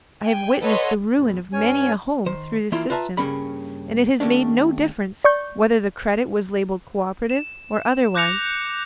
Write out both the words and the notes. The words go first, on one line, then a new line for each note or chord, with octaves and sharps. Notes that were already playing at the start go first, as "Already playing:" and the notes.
I have witnessed the ruin of many a home through the system, and it has made no difference whether the credit was labelled co-operative or otherwise.
G5 G#5
A4 B4 C#5 D#5 F#5 C6
E2 A2
G2 C#4 C#5 G#5
D#3 C5
E3 A#3 E4 F4 C6
F4 B4 E5 A5 A#5
G2 C#3 A#3 C#4 B5
D#2 A3 C#4 D4
D5 C#6 G6
E7
D6 F#6 G6 A#6 C#7 F7